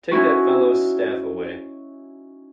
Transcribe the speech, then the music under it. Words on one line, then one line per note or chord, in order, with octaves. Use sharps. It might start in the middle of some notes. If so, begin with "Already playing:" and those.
Take that fellow’s staff away.
C#4 D#4 E4 F#4